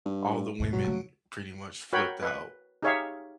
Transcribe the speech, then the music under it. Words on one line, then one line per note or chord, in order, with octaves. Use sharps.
All the women pretty much flipped out,
G2
D#2 G#2 B2
G2 B2 F#3
C#3 A3
F#4 A#4 C#5 F#5 G5 B5
B4
D#4 G4 G#4 C#5 E5 F5